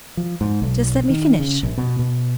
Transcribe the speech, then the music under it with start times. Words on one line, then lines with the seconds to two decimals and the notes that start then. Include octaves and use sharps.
"Just let me finish."
0.17 F3
0.41 G#2
0.62 B1
1.09 D#3
1.39 C#3
1.63 A#1
1.78 B2
1.99 B2